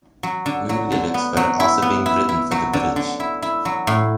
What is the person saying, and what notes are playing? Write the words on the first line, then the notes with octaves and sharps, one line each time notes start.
New lyrics were also written for the bridge.
F#3
D3
F#3
D3
B3
F#3
E4
B3
E4
E4
F#3
D3
D3
E4
E4
F#3
A2